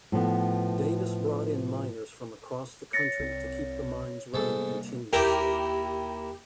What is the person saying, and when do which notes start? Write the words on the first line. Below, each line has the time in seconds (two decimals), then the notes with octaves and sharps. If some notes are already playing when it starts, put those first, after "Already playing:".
Davis brought in miners from across the country to keep the mines running continuously.
0.12 A2 F3 B3
2.93 C#5 A6 A#6 C#7
3.20 C2 C4
4.34 G#2 C3 G3 A#3 B3 A4
5.13 D#2 E4 G4 A#4